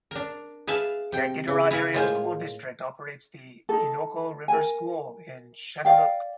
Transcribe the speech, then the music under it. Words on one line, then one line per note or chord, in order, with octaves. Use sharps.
The Iditarod Area School District operates the Innoko River School in Shageluk.
D4 A#4
G#4 B4 E5 F5 A5
C3 G5
C#3
E4 F5 G#5
A2 G#3 A#3 F4 C5 G#5
D#4 A4
A#4 G#5
D5 F5 G5